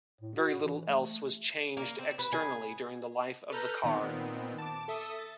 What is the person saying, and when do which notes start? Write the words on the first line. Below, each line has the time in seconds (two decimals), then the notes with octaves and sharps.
Very little else was changed externally during the life of the car.
0.21 A2
0.36 F#4
0.60 E3
0.88 A3
1.77 A#3
1.99 C4
2.19 B4
2.33 G#4
3.51 A4 B4 A#5 F6 G6 A#6
3.83 A#2 D#3 B3 C4
4.58 A5 D6
4.88 A4 E5 D#6
5.19 A6